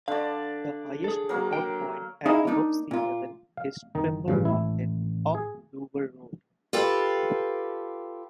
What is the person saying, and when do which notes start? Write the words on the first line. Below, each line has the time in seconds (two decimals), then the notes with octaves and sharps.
The highest lookout point, at above sea level, is Trimble Mountain, off Brewer Road.
0.08 D3 D5 F5
1.04 G#4 A4
1.29 F#3 A#3
1.53 D4 A#4 G5
2.26 C#4 D#4 E4 G#4 D#5 F5
2.47 A#3 D4 D#4
2.91 A#2 F4
3.57 F5
3.95 F#1 D#3 D#4
4.28 A1 G2 C#3 F3
4.45 G#1 A2 E4
5.35 G#4
6.73 F4 G4 A4 B4